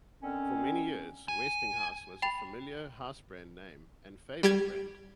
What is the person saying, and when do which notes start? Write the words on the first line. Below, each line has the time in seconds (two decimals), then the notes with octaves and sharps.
For many years Westinghouse was a familiar household name and favored brand.
0.22 D3 D#3 C4 C#4
1.28 G#5
2.22 G5 B5 A6 F7
4.43 G3 G4 G#6